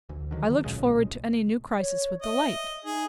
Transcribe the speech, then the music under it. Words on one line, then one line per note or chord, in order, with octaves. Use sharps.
I looked forward to any new crisis with delight.
D2
D3 D#3 F#3
B1 A#2 C#3 G#3
C#5
D#5 E5
D#4 G#4